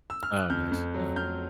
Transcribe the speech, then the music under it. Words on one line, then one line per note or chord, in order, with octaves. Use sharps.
Oh, nice. Yeah.
E6
F6
F#6
F2 F6 G6
F2
F#3
F2 F6 G6